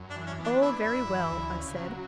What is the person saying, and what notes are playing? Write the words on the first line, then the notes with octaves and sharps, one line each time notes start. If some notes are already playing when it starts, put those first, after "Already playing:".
"Oh, very well," I said.
Already playing: F#2
D4
E3
C#4
B3
D4
D4 E4
E4
F#2
E3
D2
C#3
F#3